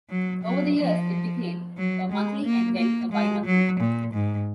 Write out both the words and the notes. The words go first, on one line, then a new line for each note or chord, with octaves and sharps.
Over the years it became a monthly and then a bi-monthly.
F#3
F#3
F3
F#3
G#3
A#3
A#3
G#3
F#3
A#2
G#2